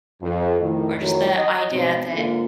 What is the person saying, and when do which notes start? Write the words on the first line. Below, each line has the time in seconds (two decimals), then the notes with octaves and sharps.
or just the idea that
0.22 F2
0.60 F2 A2 D#3
1.00 F2 A2 D#3 E3 F#3
1.37 D#5
1.71 G#2 B2 C4
2.14 G#2 D3 A#3 F4